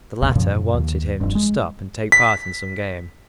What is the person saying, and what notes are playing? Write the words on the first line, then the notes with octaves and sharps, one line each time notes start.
The latter wanted him to stop and take part in some game.
G1 D#2 B2
F#2 A#2 C#3 F3
D#2
F1 G2
G#3
B6